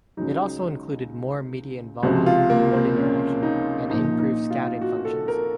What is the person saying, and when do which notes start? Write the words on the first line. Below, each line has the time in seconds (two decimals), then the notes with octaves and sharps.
It also included more media involvement, board interaction and improved scouting functions.
0.17 C#2 C#3 F#3 D#4
2.03 C#2 C3 F3 F#4
2.26 F4
2.50 A#3
2.73 C4
2.96 C#4
3.43 D#4
3.90 A#1 A#2 F3 D#4
4.19 D#4
4.50 F4
4.81 F#4
5.05 A4
5.28 A#4